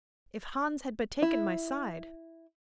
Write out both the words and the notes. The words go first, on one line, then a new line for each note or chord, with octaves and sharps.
If Hans had but taken my side!
E4